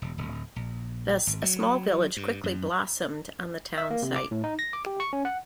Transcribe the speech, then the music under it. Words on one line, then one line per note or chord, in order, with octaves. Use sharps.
Thus a small village quickly blossomed on the town site.
E1
D1
A#1
G#1
F#3
G2
F#2
E5
A#3
C3
D6
A2
D#4
A#6
D6
G4
C#6
C#4
F#5